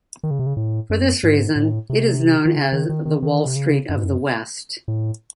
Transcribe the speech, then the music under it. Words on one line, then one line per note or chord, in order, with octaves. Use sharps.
For this reason, it is known as "the Wall Street of the West".
D#3
C#3
C3
C#3
A2
F#2
G#2
A2
C3
D#3
C#3
D#3
D#3
D#3
D#3
C3
C#3
F#2
G#2
F#2
A2